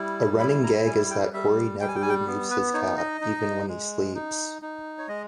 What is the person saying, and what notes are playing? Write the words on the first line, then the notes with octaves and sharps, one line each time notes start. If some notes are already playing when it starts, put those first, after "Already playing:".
A running gag is that Korey never removes his cap, even when he sleeps.
Already playing: G3 E4
E4 B5
A#5
G3 G#5
G5
G3 E5
G3 G5
G#5
G5
G#5
G5
B3
B4
D#4 C#5
D#5
D#4
G#3
D#4
D#4
C#5
G#3 D#5